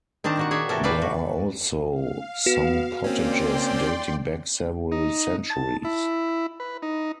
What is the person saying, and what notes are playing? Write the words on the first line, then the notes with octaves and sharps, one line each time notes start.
There are also some cottages dating back several centuries.
D#3 C4 D4 A5 A#5
A#2 F#4 F#5
G#4 C#5 D5 E5
A2 C3 E3 F#4 A4 A#4
A4 B4 C5 D5 F5 G5
F#4
F5
B3 F#4
A#3 C4 C#4 D5 G5 C6
D#4
A5
E4
B4
D#4